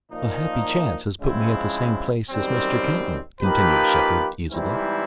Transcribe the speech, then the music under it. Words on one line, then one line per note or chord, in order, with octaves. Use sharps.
"A happy chance has put me at the same place as Mr. Kenton," continued Shepard easily.
A#2 F3 A#3 D#4
C#3 F3 G#3 C4 E4
F#2 D#3 G3 C4
F3 A#3 D#4 G4 B4
G#2 E3 G3 C4 E4